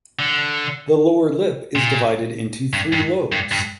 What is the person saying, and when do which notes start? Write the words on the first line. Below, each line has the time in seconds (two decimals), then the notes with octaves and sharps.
The lower lip is divided into three lobes.
0.19 D3
1.76 A#2
2.73 G2
2.93 G2
3.32 G2
3.52 G2